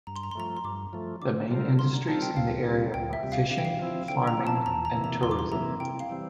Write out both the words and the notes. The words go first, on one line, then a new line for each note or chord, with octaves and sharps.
The main industries in the area are fishing, farming, and tourism.
G2 A#5
C6
A#5
C6
F3 A3 A#5
C6
G2 D6
F3 A3
D3 D6
G3 C4 F4 A#4
D3 C6
A#5
G3 C4 F4 A#4 A5
G5
D2 F5
C3 G3
D2 G5
E5
C3 G3
F5
D3 F5
G5
F5
F3 C4 E4
D3 G5
A#5
F3 C4 E4
A5
E2 A#5
A#5
C3 E3 A#3 E4
A#5
E2 C6
D6
C6
C3 E3 A#3 E4 A#5
C3 G5
F5
E3 G3 C4